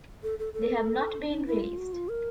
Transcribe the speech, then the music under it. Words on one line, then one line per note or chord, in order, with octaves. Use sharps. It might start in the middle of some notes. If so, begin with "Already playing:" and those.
They have not been released.
A4
A4
A4
D#4
E4
F4
F#4
F4
A#4